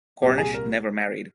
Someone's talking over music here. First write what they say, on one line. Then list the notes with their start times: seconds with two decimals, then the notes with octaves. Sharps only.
Cornish never married.
0.22 C2 A#2 G4
0.38 G#4
0.54 A#4